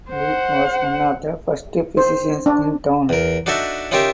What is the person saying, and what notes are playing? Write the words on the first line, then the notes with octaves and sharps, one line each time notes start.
Leith was one of the first physicians in town.
C5 F#5
C5
D4
E2 A#4
D4 D#4 F#4 A4 D#5 E5
C#4 D#4 F4 G4 A#4 E5